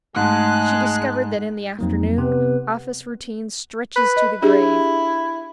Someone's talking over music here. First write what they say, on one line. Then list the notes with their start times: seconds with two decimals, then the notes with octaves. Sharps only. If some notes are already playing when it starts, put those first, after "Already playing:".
She discovered that in the afternoon, office routine stretches to the grave.
0.16 G#2 G#3 A3 A5 F#6
1.79 F2 F#3 A#3 D#4
2.18 C3 B3 B4
3.96 B4
4.17 D#5
4.42 D4 E4 G4 G#4